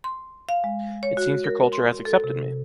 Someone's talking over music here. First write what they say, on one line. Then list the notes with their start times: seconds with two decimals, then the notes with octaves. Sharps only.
It seems your culture has accepted me.
0.04 C6
0.49 F5
0.64 G#3
1.03 C#5
1.17 F#4
1.44 A#4
1.73 C6
2.05 A4
2.24 C3